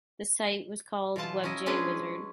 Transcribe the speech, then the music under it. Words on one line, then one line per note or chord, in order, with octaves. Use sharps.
This site was called "Webjay Wizard".
B2 E3 F4 A5
C#4 D#4 E4 D#5
F#3 G#3 C#4 D4 G#4 B4